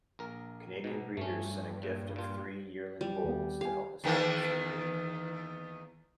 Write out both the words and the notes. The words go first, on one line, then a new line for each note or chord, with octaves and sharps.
Canadian breeders sent a gift of three yearling bulls to help establish the breed.
A#1 A#4
B1 B2
G2 A3 C#4
A#2
A#2 F4
G3
D#2 B3
G4 F5 G#5
E2 D#3 A#3